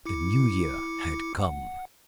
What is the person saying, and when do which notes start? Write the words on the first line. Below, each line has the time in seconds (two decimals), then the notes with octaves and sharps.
The new year had come.
0.06 E4 D6 C#7
1.39 F#5